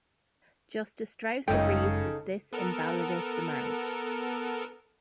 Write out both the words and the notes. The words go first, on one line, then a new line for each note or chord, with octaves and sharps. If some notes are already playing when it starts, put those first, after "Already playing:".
Justice Strauss agrees that this invalidates the marriage.
G1 F#2 C#3 G#3 D#4 A4 G5
B3 A4 A#4